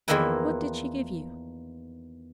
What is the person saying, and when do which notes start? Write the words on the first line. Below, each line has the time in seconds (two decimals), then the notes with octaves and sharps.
'What did she give you?'
0.08 E2 D#3 F3 A#3 E4 B4